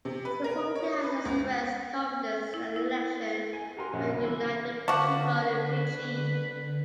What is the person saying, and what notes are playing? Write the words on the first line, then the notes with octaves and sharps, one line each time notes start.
The party has expressed confidence that the election will unite the people of Fiji.
C3
B4
A#4
C#5
B4
C#2
E4
E4
G#5
F#4 G4 A#4 G#5 C6
A#1 C#4 F#5 G#5
C2 B3
E3
D3 F3 F#4 B4 A5 C#6 D6